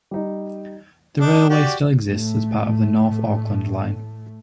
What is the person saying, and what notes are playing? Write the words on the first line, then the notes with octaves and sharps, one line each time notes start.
The railway still exists as part of the North Auckland Line.
G3 D#4
D4 D#4
F#4 G4 D5
A2 A3